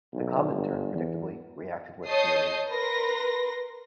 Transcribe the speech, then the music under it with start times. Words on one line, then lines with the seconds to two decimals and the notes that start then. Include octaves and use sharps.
The Comintern, predictably, reacted with fury.
0.13 B1
0.50 G1
0.95 E2
2.08 C#5 D#5 A5 D#6 G6 C7
2.69 A#4 B4 C6 A#6